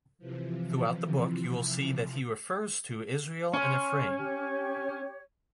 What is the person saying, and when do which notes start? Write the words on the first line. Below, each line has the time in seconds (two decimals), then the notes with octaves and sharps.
Throughout the book you will see that he refers to Israel and Ephraim.
0.18 C3 E3 F3
3.54 C#4 C6 F6
4.18 G4 C#5